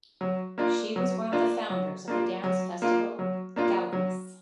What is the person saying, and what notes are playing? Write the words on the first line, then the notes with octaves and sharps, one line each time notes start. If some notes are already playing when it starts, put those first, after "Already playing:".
She was one of the founders of the dance festival Gaudeamus.
F#3
A#3 D4 F4
F#3
A#3 D4 F4
F#3
A#3 D4 F4
F#3
A#3 D4 F4
F#3
A#3 D4 F4
F#3